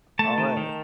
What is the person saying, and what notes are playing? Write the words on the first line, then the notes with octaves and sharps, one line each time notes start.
All right.
A3 A5
D#3
D#3